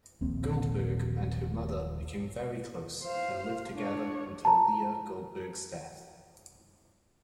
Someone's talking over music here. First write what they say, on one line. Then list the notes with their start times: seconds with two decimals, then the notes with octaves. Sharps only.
Goldberg and her mother became very close and lived together until Leah Goldberg's death.
0.21 D#1 A#1 A#3 C4
3.02 C5 F5
3.75 D4 C#5
4.45 A5 A#5